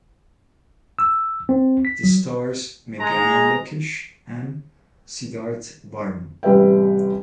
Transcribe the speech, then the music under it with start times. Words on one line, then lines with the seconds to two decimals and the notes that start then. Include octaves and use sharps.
It stars Meghana Lokesh and Siddharth Varma.
0.99 E6
1.49 C4
1.85 B6
2.04 F#3
2.99 G#3 A#5
6.43 A1 C3 G3 B4 E5 G5